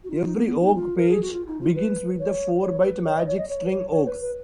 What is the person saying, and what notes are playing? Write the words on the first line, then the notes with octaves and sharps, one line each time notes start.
Every Ogg page begins with the four-byte magic string "OggS".
F#4
D#4
F4
D#4
B3
B3
D#4
F4
A#4
G#4
F#4
F4
D#4
F4
B4
C#5
C#5
B4
C#5
D#5
C#5
D#5
C#5
B4
C#5
C#5
B4
B4